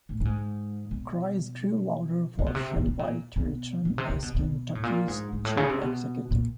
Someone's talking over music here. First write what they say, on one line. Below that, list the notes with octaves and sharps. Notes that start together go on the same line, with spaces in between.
Cries grew louder for Shelby to return as Kentucky's chief executive.
A2
A2
G#2
B2
C3
B2
C3
A#2
B2
A#2
B2
B2
C3
C3
B2
B2
A2
A#2
G#2
G#2
A2
C#3
C3
B2
A#2